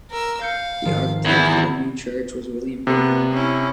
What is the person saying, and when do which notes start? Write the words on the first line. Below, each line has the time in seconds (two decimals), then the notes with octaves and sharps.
The architect for the new church was William Farrell.
0.11 A#4 E6
0.41 F5 G6 C#7
0.85 G#2 D#3 F3
1.25 E2 E4
2.87 C3 B3
3.32 C#4 E4